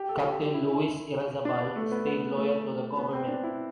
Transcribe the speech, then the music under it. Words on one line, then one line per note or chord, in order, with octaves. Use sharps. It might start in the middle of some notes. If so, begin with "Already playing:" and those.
Captain Luis Irrazábal stayed loyal to the government.
Already playing: G4
A4
G4
G4
E4
D4
B3
A3
B3
B3
A3
B3
C4
D4
E4